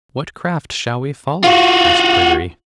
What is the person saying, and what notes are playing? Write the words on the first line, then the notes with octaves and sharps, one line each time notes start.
'What craft shall we follow?' asked Pryderi.
F4 F#4